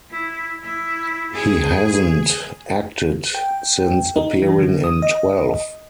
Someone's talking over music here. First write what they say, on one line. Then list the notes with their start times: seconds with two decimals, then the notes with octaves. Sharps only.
He hasn't acted since appearing in "Twelve".
0.11 E4
0.64 E4
1.33 G#4
3.35 G5
4.16 D#4
4.42 E3
4.58 D3
4.84 D#6
5.02 D#5